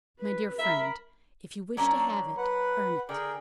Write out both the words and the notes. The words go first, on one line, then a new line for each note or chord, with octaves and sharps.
"My dear friend, if you wish to have it, earn it."
B4
A#4 E5 B5
F#3 A#3 C#4 D4
B4 F#5
D3 G#4 A#4 D5 G5